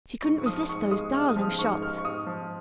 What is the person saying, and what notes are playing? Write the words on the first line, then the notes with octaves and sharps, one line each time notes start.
She couldn't resist those darling shops.
G#2 C#6
C#6
F3 D#6
G#2 C#6
G#3 D#6
G#2 F6
D#6
F3
F6
G#2 C#6
G#3 F6
C#6
G#2 D#6
F3